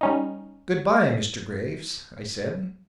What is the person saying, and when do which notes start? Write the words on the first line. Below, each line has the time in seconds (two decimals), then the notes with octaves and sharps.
"Good-bye, Mr. Graves!" I said.
0.01 G3 C#4 D#4